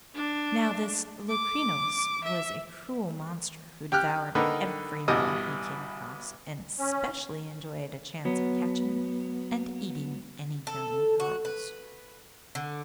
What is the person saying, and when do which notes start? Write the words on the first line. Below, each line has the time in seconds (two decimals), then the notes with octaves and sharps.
Now this Locrinos was a cruel monster who devoured everyone he came across, and especially enjoyed a chance of catching and eating any young girls.
0.15 D4
1.29 D6
2.24 E5
3.92 G4 G5 F6 F#6
4.35 D3 D#3 D#4 B4
5.08 A1 G2 B2 E3 G3 D#5
6.79 C#4
8.25 F#3 B3
10.67 A4
11.20 F#4
11.45 B4
12.55 D3